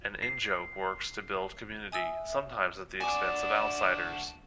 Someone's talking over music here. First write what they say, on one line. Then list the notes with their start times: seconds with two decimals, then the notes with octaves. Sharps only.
An in-joke works to build community, sometimes at the expense of outsiders.
0.23 C7
1.92 E5 G#5 D#6 E6
3.00 D4 F#4 D5 G#5 D6 E7